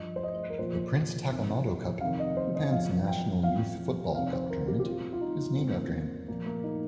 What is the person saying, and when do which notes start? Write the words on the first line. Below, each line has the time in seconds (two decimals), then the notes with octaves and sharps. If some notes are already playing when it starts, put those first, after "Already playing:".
The Prince Takamado Cup, Japan's national youth football cup tournament, is named after him.
Already playing: G2 F3 D#5
0.16 C5
0.23 D#5
0.50 A#4
0.59 A#2 F3 C5
1.30 F2 C3 D#3
2.00 F2 C3 D#3 F5
2.19 D#5
2.37 C5
2.55 D#5
2.72 F2 F3 F5
3.08 G5
3.43 F2 F3 F5
4.14 F2 C3 D#3 F5
4.33 C5
4.50 A#4
4.68 G4
4.80 G4
4.85 F2 F3 F4
5.13 F4
5.21 D#4
5.57 G2 D#3 C4
5.69 A#3
5.81 C4
6.28 A#2 F3 A#3
6.46 A#3
6.64 D#4